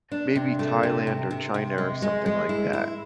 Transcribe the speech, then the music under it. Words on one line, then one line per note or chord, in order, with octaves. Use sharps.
maybe Thailand or China or something like that.
D4
C3
A3
C3
C3
C3
C3
G#3
G#3
G#3
E4
E4